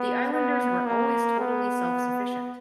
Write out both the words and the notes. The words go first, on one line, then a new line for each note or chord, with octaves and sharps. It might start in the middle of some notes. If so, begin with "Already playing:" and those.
The islanders were always totally self-sufficient.
Already playing: B3
B3
A#3
B3